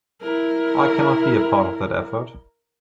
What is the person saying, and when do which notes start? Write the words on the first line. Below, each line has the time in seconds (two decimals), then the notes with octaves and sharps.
I cannot be a part of that effort.
0.22 E4 A#4